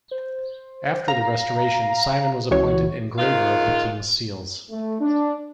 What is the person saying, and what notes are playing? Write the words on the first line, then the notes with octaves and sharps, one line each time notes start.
After the Restoration Simon was appointed engraver of the king's seals.
C5
F5 A#5
C#2 E3 F#4 C#5
D#3 G#3 F4 F5
A3
D4